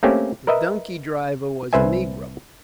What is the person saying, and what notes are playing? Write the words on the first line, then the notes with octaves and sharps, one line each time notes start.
The donkey-driver was a negro.
A3 A#3 C4 C#4 G4
A#4 B4 D#5 E5
C2 B4 C5 E5 G#5